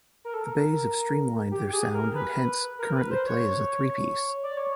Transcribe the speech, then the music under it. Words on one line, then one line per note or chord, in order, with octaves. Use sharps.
The Bays have streamlined their sound and hence, currently play as a three piece.
A#4
A4
A#4
G4
G4
G#4
A#4
B4
A#4
B4
C5
C#5
D5
C#5